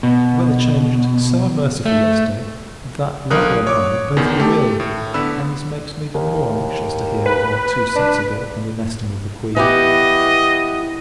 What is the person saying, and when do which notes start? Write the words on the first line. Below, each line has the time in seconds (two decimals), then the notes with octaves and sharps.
The weather changed so unmercifully, yesterday, that Lovel and I both grew ill; and this makes me the more anxious to hear of our too sensible and inestimable Queen.
0.03 B2
1.86 A3
3.30 B1 D3 A#4 D#6 F#6
3.67 C#5 D6
4.17 E2 D#3 B3
4.40 A3 G4 A5
4.80 A2
5.14 D3 B3 B5 E6
6.15 D#2
7.26 B4
7.95 D4
9.56 E3 B3 G4 D#5